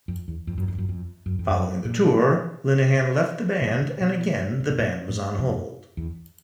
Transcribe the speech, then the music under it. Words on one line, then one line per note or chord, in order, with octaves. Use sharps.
Following the tour, Linehan left the band and again the band was on hold.
F2
E2
F2
F#2
F2
F#2
F2
F#2
F2
F#2
A#2
B2
C3
B2
C3
B2
A#2
A2
F2
E2